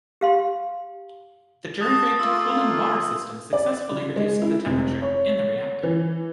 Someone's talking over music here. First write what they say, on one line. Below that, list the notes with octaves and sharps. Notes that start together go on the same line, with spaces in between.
The jury-rigged cooling water system successfully reduced the temperature in the reactor.
G4 F5 C6
A5 D#6
A3 A#3 F4 E6
D5
C#3
G#3
E4
F1
C#5
E3